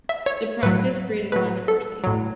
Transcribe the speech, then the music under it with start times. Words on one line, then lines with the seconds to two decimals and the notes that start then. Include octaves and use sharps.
The practice created controversy.
0.09 E5
0.26 C#5
0.63 A2 F#3 B4
1.32 A2 F#3 B4
1.68 A4
2.04 A2 F#3